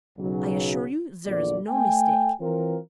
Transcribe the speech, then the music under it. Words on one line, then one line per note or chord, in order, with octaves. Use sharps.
I assure you there is no mistake. . . .
B1 C#3 F#3
A#1 E2 D3 F4 D5
A3 G5 G#5
E3 C4 F4 A#4